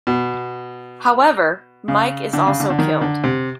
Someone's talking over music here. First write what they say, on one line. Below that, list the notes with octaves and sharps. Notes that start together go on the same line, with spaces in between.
However, Mike is also killed.
B2
C#3
D3
C#3
D3
D3
D#3
D3
C3